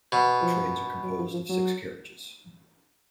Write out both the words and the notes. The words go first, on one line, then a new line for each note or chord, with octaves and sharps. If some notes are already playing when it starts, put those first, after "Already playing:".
The trains are composed of six carriages.
B2
F3
F#3
F3
F3
F#3